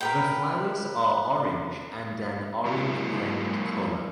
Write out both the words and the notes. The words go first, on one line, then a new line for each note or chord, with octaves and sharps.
The flowers are orange and an orange blend color.
A#4 B4 G5
F#3 G#3 A#3 E4 F#4